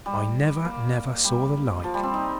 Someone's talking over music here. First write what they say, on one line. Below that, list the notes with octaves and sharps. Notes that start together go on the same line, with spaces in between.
'I never, never saw the like.
G3
A#3
G3
F3
G3
C4
D#4